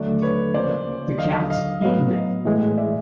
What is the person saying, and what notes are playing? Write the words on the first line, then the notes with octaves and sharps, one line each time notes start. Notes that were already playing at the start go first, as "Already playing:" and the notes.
The cat's eaten it.
Already playing: D#2 D3 F#3 A3 D4 D5
B4 C#5
D2 C#3 F3 A#3 C#4 C5 D5
D#2 D3 F#3 D#5 F5
D#5 F5
A2 F#3 B3 D#5 F5
D#5 F5
A2 E3 G#3
D5 E5